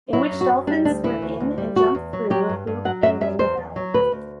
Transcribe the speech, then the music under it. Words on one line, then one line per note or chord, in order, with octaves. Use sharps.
In which dolphins swim in and jump through a hoop and ring a bell.
F#3 E4
F#2
F#4
F#2
G3 D4
D2 D4
E3 E4
D2
D2
G3
E2 F#4
E2
F#3
F#3 G4
G2
G2
F#3 F#5
F#2 E5
F#2 E5
E2 C5
E2
F#3
D2 B4
D2